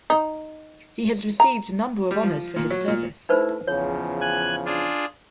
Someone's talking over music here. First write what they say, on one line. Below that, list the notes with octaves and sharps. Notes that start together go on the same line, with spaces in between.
He has received a number of honours for his service.
D#4
A#5
G3
F3
A#2
F#3
A#2
A3 D#4 E4 B4 C5
E2 C#3 F3 C#5
G#5 F#6
D4 F4 G#4